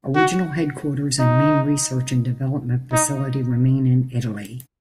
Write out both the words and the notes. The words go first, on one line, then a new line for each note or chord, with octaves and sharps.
Original headquarters and main research and development facility remain in Italy.
F#4
D#4
D#4